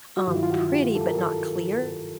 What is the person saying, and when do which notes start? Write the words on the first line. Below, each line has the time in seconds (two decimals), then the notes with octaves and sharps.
um, pretty but not clear,
0.17 F#4
0.27 G2 D#3 F#3 F4
0.36 E4
0.43 F4
0.50 F#4
0.73 G4
0.95 A4
1.07 A#4
1.18 A4